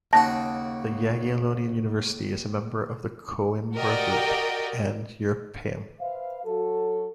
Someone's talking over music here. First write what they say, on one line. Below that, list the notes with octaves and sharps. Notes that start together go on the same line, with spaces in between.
The Jagiellonian University is a member of the Coimbra Group and Europaeum.
D#2 C#3 F#4 A5 A#6
F#4 G4 A#4 D5 D#5 G5
B4 C5 E5 F5
F#3 F#4 A4